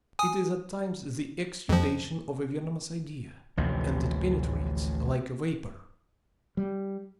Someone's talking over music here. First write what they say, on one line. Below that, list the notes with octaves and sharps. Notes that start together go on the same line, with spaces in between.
It is at times the exudation of a venomous idea, and it penetrates like a vapour.
G#5 D#6
F2 F3
A1 D2 C3 F3
G3